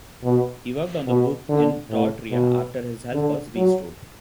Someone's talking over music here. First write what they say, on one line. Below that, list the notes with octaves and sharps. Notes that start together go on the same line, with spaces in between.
He worked on the book in Tautira after his health was restored.
B2
B2
D3
A2
B2
D3
F#3